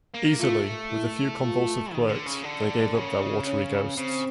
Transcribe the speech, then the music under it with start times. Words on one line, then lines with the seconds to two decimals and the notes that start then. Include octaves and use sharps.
Easily, with a few convulsive quirks, they give up their watery ghosts.
0.14 A#3
0.39 A3 F4
0.91 E4
1.42 F4
1.93 D#3
2.09 D3
2.27 C#3
2.43 D3
2.95 C#3
3.46 C#4
3.97 C#3 C4